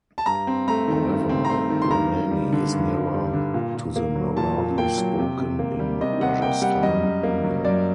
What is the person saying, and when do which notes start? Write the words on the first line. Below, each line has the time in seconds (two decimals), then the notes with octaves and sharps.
However, Romani is nearer to the Marwari spoken in Rajasthan, India.
0.18 A5
0.26 G2 A#5
0.47 C4
0.68 A3 A#5
0.87 D#3
1.08 G2
1.29 C4
1.45 A#5
1.49 A3 C6
1.70 D#3
1.82 C6
1.90 G2 A#5
2.10 G2
2.31 G3
2.52 D3
2.73 G2
2.93 G2
3.14 G3
3.33 D3
3.54 A#2
3.75 A#2
3.96 A#3
4.15 F#3
4.37 A#2 A5
4.57 A#2
4.78 A#3 G5
4.98 F#3
5.18 C3
5.39 C3
5.59 A#3
5.79 G3
6.01 C3 D#5
6.21 C3 F#5
6.41 A#3 G5
6.62 G3 F#5
6.83 F#2 D#5
7.03 F#2
7.23 A#3
7.44 F#3
7.65 F#2 D5